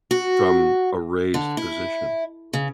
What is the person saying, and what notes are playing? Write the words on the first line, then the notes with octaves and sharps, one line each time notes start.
from a raised position?
F#4
D3
E4
C#3